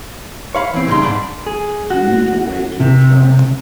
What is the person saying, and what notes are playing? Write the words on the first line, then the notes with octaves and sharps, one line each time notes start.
You need to wait your turn.
C#5 F5 B5
E3 C4
A#2 C#3 G3 D#4 C6
G#2 D4 B5
G#4
F#4
C3